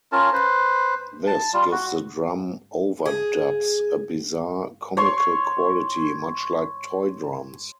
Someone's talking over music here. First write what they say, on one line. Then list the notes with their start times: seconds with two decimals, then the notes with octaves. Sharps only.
This gives the drum overdubs a bizarre, comical quality, much like toy drums.
0.12 C#4 F4 A#4 A5
0.33 B4 C5
1.27 A5
1.54 G3 F4
1.72 F#4
3.06 G#4
4.97 C#5 C6 C#6